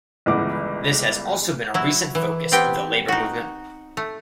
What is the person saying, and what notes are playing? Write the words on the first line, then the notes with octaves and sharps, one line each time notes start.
This has also been a recent focus of the labour movement.
G1 C#2 E3 F#5 D6
F#3 E4
E3
B3 C4 G4 G5
D#4 F#4
A3